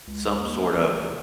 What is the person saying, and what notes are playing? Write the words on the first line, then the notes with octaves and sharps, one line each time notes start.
some sort of
C#2
D#2
F1